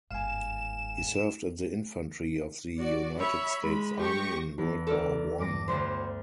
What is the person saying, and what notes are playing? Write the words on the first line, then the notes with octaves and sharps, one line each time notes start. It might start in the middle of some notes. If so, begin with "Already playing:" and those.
He served in the infantry of the United States Army in World War One.
G1 D#2 G#2 F5 G#5 E7
F#4 D5
C#5 E5 B5
G#3
G4 C#6 A#6
E2
A4 A#4 D5
G2 D6 A#6
D2 D3 F#3 G3 C5